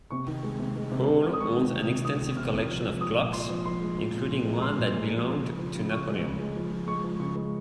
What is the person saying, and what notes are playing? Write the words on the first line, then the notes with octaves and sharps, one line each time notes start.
Hall owns an extensive collection of clocks, including one that belonged to Napoleon.
C3 C#6
D#3
G#3
C3
G#3
C3
C3
D#3
D#6
G#3 C#6
D#3
C3
C3
D#3 D#6
D#3
C3 F6
C3
F3
G#3
F3 D#6
A#2
F3 C6
F3
F3 C6
G#3
F3
A#2
A#2
G#3
A#5
A#2 C6
A#2
G#3
F3
C#3
C#3
F3
C#3
C#3 C#6
G#3
C#3
G#3
F3
F3
G#3 C#6
F3
C#3 C#6
G#3